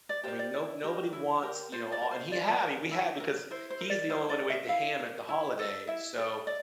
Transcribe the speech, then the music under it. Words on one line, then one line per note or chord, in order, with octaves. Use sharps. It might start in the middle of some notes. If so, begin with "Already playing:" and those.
I mean, no nobody wants," you know, o and he had I mean, we had, because he's the only one who ate the ham at the holiday, so
D5
G4 A#4 C5
D5
E4
G4 A#4
E4
G4 A#4
F4 C5
D5
A#4
C5
F4 D5
A#4
E4
A#4
E4 C5
C5
A#4
D5
E4 C5
D5
A#4
E5
E4 F5
A#4
E4
A4
E4 E5
A4
D5